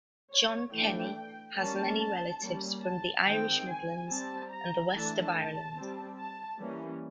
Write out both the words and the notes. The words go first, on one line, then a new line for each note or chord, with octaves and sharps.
Jon Kenny has many relatives from The Irish Midlands and the West of Ireland.
C#5
E3 A3 D4 G5
G3 A#3 C#4 A5
G3 A#3 C#4
A5
D#3 G#3 C4 G5
G#5
G3 C4 A5
A#5
E3 A3 D4 A5
A5
G3 C4
A5
E3 G3 A#3 C#4